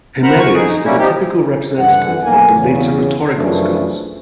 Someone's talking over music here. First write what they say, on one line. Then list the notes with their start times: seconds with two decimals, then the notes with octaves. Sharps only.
Himerius is a typical representative of the later rhetorical schools.
0.23 A#4 C5 F#5 A#5 B5
0.39 C#6
0.54 D#4 G#4
0.67 D#4
0.85 F#3 G3 A#3 C#4 E4
0.98 F3 D#4 G4
1.79 G2 D3 E3 F#5
2.23 B1 A#3 G#5
2.56 E2 C#3
3.36 F#2 C#3 E3 F3 A3 D4